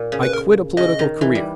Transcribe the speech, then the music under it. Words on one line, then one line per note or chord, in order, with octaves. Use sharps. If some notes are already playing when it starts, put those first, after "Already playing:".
I quit a political career.
Already playing: A#2
C#3
B4
A#4
C#3 D#5
D#3
E3
G3